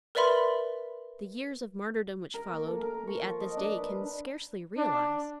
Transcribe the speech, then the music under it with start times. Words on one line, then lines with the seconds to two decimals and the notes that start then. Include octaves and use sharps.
The years of martyrdom which followed, we at this day can scarcely realize.
0.15 A#4 B4 D5 E5 B5 C6
2.34 A#4
2.52 A#3
2.67 A4
2.81 A#4
2.94 A#4
3.07 C#6
3.22 F3
3.41 D#5
3.57 D4
3.77 B4
4.78 D4